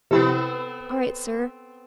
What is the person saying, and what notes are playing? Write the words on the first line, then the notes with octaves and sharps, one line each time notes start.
'All right, Sir.
C3 F3 B3 C4 E4 A4